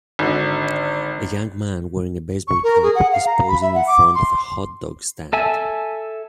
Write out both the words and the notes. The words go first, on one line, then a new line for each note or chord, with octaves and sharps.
A young man wearing a baseball cap is posing in front of a hotdog stand.
G#1 D3
C#6
A#4
G#4
F#5
F5
A#5
B5
E5
F#5
D6
C6
A4 E5 G#5